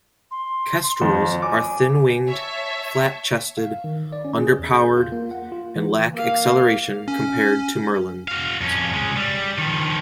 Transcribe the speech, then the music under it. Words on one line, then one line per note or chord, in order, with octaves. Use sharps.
Kestrels are thin-winged, flat-chested, under-powered and lack acceleration compared to merlins.
C6
F2
G#5 D6
C#5 E5 A5
F5
D#3
D5
C#4
G#4
E2
G6
F4
A#3
F#5
F4
E3
A#3 F5
C#4
F#4 F5
F2 C#4
C#3 G#3
G3
D#3 F3